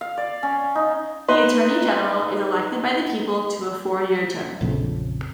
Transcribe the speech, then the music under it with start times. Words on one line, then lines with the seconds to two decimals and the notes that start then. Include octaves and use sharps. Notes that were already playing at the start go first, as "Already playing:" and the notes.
The Attorney General is elected by the people to a four-year term.
0.01 F5
0.18 D5
0.43 C#4
0.75 D#4
1.28 D#4 B4 C6
4.61 A#1 F2 C#3